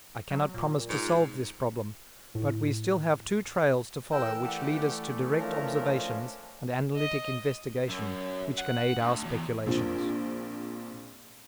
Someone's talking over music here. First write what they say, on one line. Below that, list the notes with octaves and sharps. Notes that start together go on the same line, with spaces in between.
I cannot promise to solve this problem, but we still have two trails to follow which lead us to direct observations and analytic investigation which can aid our speculations.
F#3
A#2
G#2
A2
E3 A#4 G5 E6 F#6
A3 G4 D5 F#5
F3 C#4 D4 A#4
D#5
F#2
F#5
D2
E2
A#1 A#2 C4